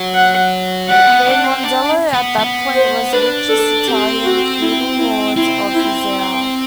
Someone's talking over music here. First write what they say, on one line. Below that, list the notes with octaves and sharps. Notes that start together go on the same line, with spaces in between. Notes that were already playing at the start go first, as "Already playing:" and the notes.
Raimondello at that point was the richest Italian feudal lord of his era.
Already playing: F#3
F#5
G3 F#5
B3
D4
C4
D4
B3
B3
C5
D4 B4
A4
C4 G4
F#4
E4
E4
C4 E4
E4